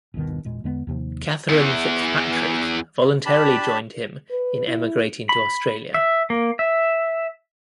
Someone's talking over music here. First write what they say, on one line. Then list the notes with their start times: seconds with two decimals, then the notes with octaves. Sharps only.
Catherine Fitzpatrick voluntarily joined him in emigrating to Australia.
0.14 G1 D#2 B2 D#3
0.45 E1 A#2 G#3
0.64 E2 D3 G#3 B3
0.87 D#2 C3 F3
1.49 E2 E3
3.26 D4 G4 A5 B5
4.30 B4
4.67 E4
5.29 B5
5.94 E5
6.30 A#3
6.59 E5